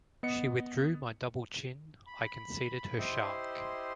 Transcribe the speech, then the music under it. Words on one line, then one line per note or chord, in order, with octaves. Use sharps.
She withdrew my double chin; I conceded her shark.
B3 D#5 C#7
B5
E4 G4 C5 D#5 C6